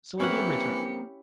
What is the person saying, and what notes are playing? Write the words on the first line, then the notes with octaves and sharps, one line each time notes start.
So he did return!
E3 A#3 C4 C#4 E4 G4 F#5 C#7